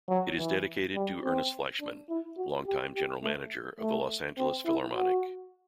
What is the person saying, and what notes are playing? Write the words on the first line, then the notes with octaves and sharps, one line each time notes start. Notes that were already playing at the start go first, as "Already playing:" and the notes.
It is dedicated to Ernest Fleischmann, long-time general manager of the Los Angeles Philharmonic.
F#3
E3
G3
C4
D4
E4
F#4
G4
G4
A3
A3
C4
E4
F#4